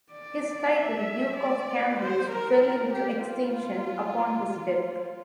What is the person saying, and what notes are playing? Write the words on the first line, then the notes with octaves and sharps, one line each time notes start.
His title, 'Duke of Cambridge', fell into extinction upon his death.
D5
E5
D5
C5
A#4
A#4
G4
F4